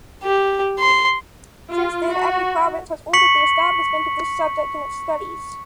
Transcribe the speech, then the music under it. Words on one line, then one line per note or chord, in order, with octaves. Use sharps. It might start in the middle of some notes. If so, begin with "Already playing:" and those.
Since then, every province has ordered the establishment of this subject in its studies.
G4
C6
F4
F#4
C#6 B6 C#7 F#7